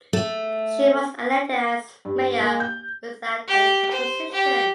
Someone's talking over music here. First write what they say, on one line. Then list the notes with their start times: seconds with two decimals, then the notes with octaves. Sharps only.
She was elected as Mayor without any opposition.
0.13 A3
2.05 G2
2.40 A#3
2.60 G6
3.48 G4
3.91 C5
4.32 G4